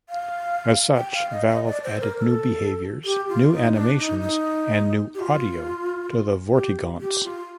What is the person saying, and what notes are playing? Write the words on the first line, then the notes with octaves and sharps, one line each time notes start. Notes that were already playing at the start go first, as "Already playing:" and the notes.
As such, Valve added new behaviours, new animations, and new audio to the Vortigaunts.
F5
G5
F5
D#5
D#5
D5
C5
A#4
A#4
A4
G4
F4
D#4
D4
D#4
D#4
G4
F4
G4
G4
F4